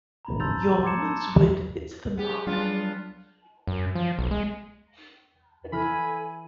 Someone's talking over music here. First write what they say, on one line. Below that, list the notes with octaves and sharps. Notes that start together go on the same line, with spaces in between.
Your woman's wit hits the mark.
A#5 B5
A5 C6 E6 G6 A6 F7
A#5
C6 D6 G#6 C#7 E7
A5 E6
B3 G4 G#4
F#3 G3 B3 D4 F4
F#2
F3
B1
G#3
E3 E4 A4 G#5 B5 F6